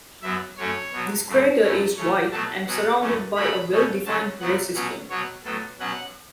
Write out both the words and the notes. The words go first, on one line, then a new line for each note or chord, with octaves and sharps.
This crater is white and surrounded by a well-defined ray system.
F#2 F#3 B3 E5
F#2 F#3 A3 C#4 C#5
B2 F#3 B3
F#2 C#3 A3
F#2 C#3 A3 C#4
C#3 A3 C#4 C#5
B2 F#3 A3 A5
B2 F#3 C#4 F#5
F#2 E3 A3 C#4
C#3 F#3 A3 C#4 B5
B2 A3 C#4
C#3 F#3 A3 C#4 A5
F#2 C#3 F#3 B3 F#5
B2 F#3 C#4 F#5
B2 F#3 B3 C#5
A2 F#3 B3 A4
B2 F#3 C#4 F#5